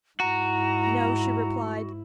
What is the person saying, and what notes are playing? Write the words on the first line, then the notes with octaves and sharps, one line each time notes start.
"No," she replied.
G#2 E4 F#4 A#5